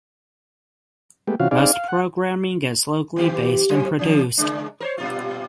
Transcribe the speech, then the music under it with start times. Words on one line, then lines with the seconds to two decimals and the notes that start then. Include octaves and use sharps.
Most programming is locally based and produced.
1.28 G#3 A3 B3 G4
1.40 C3 E3 C#4 F4 F#4 F5
1.51 C4 D#4 G#4 D5 F5
1.73 F5
1.88 F#5
3.16 D#3 B3 G4
3.69 F#3 C4
3.99 E3 C#4
4.38 C#3 G#3 D4
4.80 A#4 C5 C#5
4.98 G2 A#2 F4